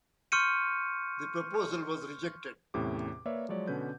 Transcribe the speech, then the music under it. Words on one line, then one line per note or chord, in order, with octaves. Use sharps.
The proposal was rejected.
C6 C#6 F6 G6 C#7 D#7
E2 A2 C3 C#4 G4 D6
A#3 B4 C#5 D5 E5
F3 F#3 G#3 C#5 D5
B2 D3 C#4 B4 G6